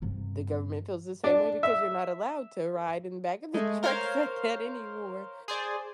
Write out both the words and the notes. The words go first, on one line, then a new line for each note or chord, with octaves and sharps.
the government feels the same way because you're not allowed to ride in the back of the trucks, like, that anymore.
G2 C3
D4
E5
G#3 A3
A#4 C5 C#5 F5
G#4 C5 D5